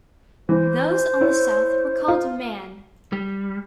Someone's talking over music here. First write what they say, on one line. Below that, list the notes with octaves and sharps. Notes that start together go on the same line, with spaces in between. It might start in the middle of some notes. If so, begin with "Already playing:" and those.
Those on the south were called Man.
E3 C5
E4 C#5
F4
G3